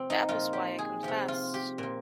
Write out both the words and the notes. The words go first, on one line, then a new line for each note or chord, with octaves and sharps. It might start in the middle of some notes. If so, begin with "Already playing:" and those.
That was why I confessed.
Already playing: C3 F3 C4
D#4
A#2 F3 F4
G4
G#4
C3 F3 G4
F4
G4
A#2 F3